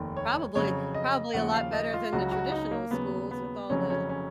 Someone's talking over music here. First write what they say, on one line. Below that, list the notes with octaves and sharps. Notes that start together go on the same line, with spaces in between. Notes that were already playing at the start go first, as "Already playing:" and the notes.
probably probably a lot better than the traditional schools with all the
Already playing: F1 D#2 D#3
C#5
F2 C#3 F#3 C#5
D#5
D#2 C#3 F3 F#5
F5
D#5
F4
C#2 C#3 F#3 F#4
F#4
D#4
A#3
D#2 C#3 F#3 B3
B3
F1 F2 C#3 F#3 C#4
C#4
C#4